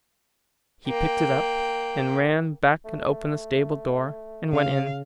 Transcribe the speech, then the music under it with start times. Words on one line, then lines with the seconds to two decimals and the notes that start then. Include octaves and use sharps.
He picked it up, and ran back and opened the stable-door, and went in.
0.87 A#3 G5
2.85 A3
4.53 C#3 F5